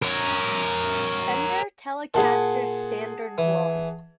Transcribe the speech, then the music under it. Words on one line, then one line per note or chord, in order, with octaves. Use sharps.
Fender Telecaster Standard Blonde.
A#4 C#5
A#2 G#4 F#5 A5
E3